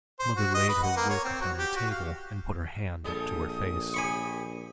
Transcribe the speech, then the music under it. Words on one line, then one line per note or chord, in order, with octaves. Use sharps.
The mother laid her work upon the table, and put her hand up to her face.
C5
F#4
D#5
B4
F#5
A#3
C#5
C4
F#4
G4
F#4
F5
A#1 G3 G#4 A4 D#6
C4 G4 G#5 B5 C#6